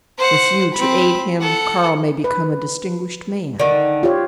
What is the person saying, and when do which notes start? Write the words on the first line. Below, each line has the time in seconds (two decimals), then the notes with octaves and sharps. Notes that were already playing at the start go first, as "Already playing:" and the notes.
With you to aid him, Karl may become a distinguished man.
0.18 C5 F#5
0.74 C4 B5
1.40 A4 F#5
2.24 B4
3.59 D3 D#3
4.03 F4 G4 C#5